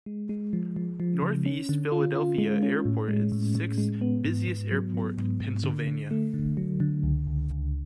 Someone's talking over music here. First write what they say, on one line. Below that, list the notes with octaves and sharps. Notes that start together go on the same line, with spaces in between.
Northeast Philadelphia Airport is the sixth busiest airport in Pennsylvania.
G#3
G#3
F3
F3
F3
C#3
C#4
D3
F4
F4
G#3
C#4
A2
G#3
A2
A2
G#3
B3
G#2
G#2
F#3
F#3
G#2
G#2
D3
D3
A3
D3
F#3
D3
C#2
C#2
C#2